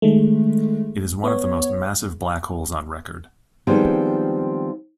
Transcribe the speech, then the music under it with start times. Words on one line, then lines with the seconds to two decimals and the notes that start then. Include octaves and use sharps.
It is one of the most massive black holes on record.
0.02 D#3 G#3 A3
1.24 B3 C#5
3.67 D#3 F3 G3 G#3 B3 C4